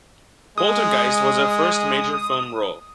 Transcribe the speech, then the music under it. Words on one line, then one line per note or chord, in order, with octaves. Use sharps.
"Poltergeist" was her first major film role.
G#3 D#6